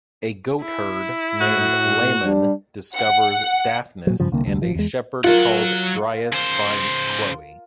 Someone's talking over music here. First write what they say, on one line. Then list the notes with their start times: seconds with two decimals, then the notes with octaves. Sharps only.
A goatherd named Lamon discovers Daphnis, and a shepherd called Dryas finds Chloe.
0.62 E4
1.41 A2 F#4
2.23 G3 D4
2.95 F#5
4.07 A#2 F#3
4.20 G2 C#3 F3
4.32 C2 D3 A#3
4.45 F1 D2 G3
4.62 A1 F3
4.75 E2 G#3
5.24 F#3 F4 A#4 F#5
6.33 C#3 C5